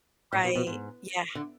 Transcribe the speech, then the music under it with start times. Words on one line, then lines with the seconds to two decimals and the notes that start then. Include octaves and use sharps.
Right, yeah.
0.33 A2
0.44 B2
0.55 B2
0.67 G#2
1.35 D3